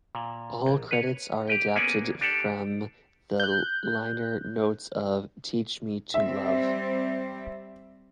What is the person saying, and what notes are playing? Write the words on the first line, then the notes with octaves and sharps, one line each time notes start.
All credits are adapted from the liner notes of "Teach Me to Love".
A#2
A#1
B4 C#5
G4 B4 G5
A#3 B3 C#4 G#4 D5 G#5
D4 G4 A4 D5
F#6 G6
G3 C4 E5